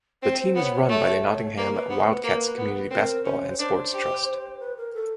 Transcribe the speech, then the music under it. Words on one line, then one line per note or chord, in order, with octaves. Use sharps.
The team is run by the Nottingham Wildcats Community Basketball and Sports Trust.
C4 C5
C5
B3 C#5
A3
A#3 C5
B4
B3 C5
B4
A#3
B3
C4 A#4
C#4 C5
C5
D4 C5
G4
B4
A#4
A4